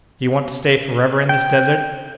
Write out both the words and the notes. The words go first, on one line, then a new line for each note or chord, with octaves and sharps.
"Do you want to stay forever in this desert?"
G5